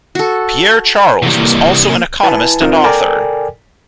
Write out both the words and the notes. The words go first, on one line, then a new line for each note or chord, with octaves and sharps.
Pierre-Charles was also an economist and author.
F#4 A4
C3 D#3 E3 G3 A#3
E4 B4 G#5 A5
C4 D#4 F4 A#4 C5
A4 A#4 D5 G5 G#5